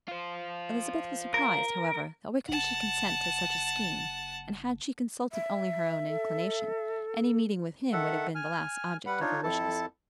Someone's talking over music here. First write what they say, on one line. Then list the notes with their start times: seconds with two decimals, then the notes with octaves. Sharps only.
Elizabeth was surprised, however, that Wickham should consent to such a scheme, and had she consulted only her own inclination, any meeting with him would have been the last object of her wishes.
0.08 F4 C5
1.34 A#4
2.49 F#1 F#5 A5
5.32 E5
6.09 A4
7.92 D#3 A4 E5 F#5
8.35 G#5 F6
9.06 G3 B4 F#5 B5
9.20 D4 D#4 F4 C#5
9.43 F2 E4 A4 A5